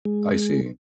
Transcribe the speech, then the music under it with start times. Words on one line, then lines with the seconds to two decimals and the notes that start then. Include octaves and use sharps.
I see.
0.05 G#3